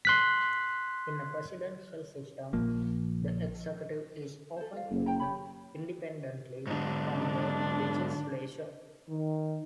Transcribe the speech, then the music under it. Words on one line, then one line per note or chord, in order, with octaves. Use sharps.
In a presidential system, the executive is often chosen independently from the legislature.
C6 F#6 B6
A#1 F3 A#3
A4 C5
F4 F5
F#1
C5 G5 A#5
G4 C#5 B5
G#2 D3 D4
D#3